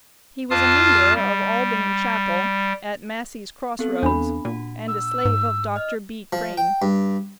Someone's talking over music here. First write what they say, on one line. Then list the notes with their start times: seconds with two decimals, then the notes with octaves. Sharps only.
He was a member of "Albany Chapel," at Massey's Cross Roads, and a slave of Dr. B. Crain.
0.50 F2 F4 F5 A5 D#6 F6
1.15 G3
3.79 B3 C4 A4
4.03 E2 D4 B5
4.45 A#2 F#4
4.88 E6
5.25 G#2
5.76 D#5 F6
6.33 F3
6.57 G5
6.82 G2